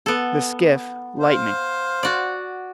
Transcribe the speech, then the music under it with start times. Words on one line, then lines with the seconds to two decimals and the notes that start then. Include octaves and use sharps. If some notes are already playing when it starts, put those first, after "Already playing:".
The Skiff "Lightning."
0.06 B3 A4
1.19 C5 F5
2.03 F#4 D5